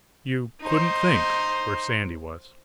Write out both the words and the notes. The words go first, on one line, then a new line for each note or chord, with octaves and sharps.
You couldn't think, where Sandy was.
D#4 C5